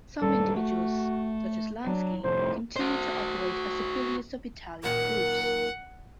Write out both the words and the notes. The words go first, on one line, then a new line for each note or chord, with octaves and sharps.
Some individuals, such as Lansky, continued to operate as affiliates of Italian groups.
D#1 G2 G3 A4
A3 F#4
F#3 D4
F1 A2 C5
F#4 C5
F#2 A#2 D#3 A#4 F#5